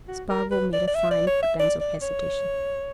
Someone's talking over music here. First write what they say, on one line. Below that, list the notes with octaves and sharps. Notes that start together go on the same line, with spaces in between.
Spargo made a fine pretence of hesitation.
F#4
A#4
B4
D5
D5
E5
D5
C#5
E5
D5
D5
C#5